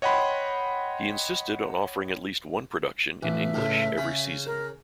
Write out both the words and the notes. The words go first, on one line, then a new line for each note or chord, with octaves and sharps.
He insisted on offering at least one production in English every season.
C#5 D#5 F#5 G5 B5 C6
A1 E5
C#2 A2
C#3
A#4